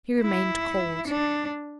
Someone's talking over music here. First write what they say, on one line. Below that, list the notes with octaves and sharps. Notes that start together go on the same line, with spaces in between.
He remained cold.
E4
D4